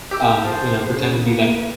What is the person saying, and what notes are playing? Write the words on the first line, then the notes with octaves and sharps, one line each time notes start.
um, you know pretend to be that uh
G4 D6 E6
F3 C5
C#3
A#3 B4